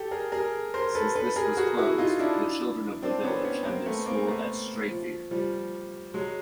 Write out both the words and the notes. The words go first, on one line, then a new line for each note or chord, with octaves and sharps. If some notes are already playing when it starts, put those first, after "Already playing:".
Since this was closed, the children of the village have been schooled at Strathyre.
Already playing: G4 A4
G#4 A#4
G#4 A#4
A#4 C5
A4 B4
A4 B4
G#4 A#4
F#4 G#4
E4 F#4
D#4 F4
D4 E4
C4 D4
B3 C#4
B3 C#4
A#3 C4
A3 B3
A#3 C4
A3 B3
F3
F3 G3
F#3 G#3